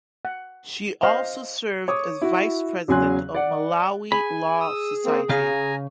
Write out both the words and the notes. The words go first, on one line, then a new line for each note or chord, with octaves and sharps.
She also served as vice president of Malawi Law Society.
F#5
C5 D#5 F5
C#5 D6 D#6
E4 F#4
E2 C#3 F#3 G#5 C6 F#6
D5 F#5
G#4 G#5 B5
D#6 E6
A#3 C4
C#3 F5 G#5 A#5